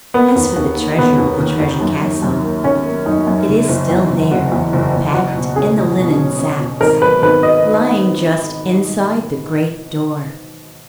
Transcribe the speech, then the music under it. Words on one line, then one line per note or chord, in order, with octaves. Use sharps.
As for the treasure of the treasure castle, it is still there, packed in the linen sacks, lying just inside the great door.
A#3 B3
D#2
D#2
A#3
D#3 B3
D#2
D#3
D#2
F#2
F#2
F#2
A#3
D#3 C#4
A#3
F#2 D#4
F#2
C#3
F#1
E2
F#1
F#1 F#4
E2
F#1
F#1
F#3 F#4
B2
C#4 G#4
F#3
B2
C#4
C#4
B2
G#1 A#4
F#3 B4
G#1 B4
D#5